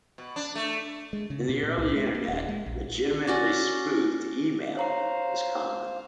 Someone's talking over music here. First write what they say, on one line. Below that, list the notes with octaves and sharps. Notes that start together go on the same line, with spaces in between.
In the early Internet, "legitimately spoofed" email was common.
B2
D4
A3
G#3
C#3
B2
A#2
C2
G#3
A#3
D#1
G#3
A#1
C#4 F#4 D5 D6 A6 A#6
C5 C#5 F5 A#5 C7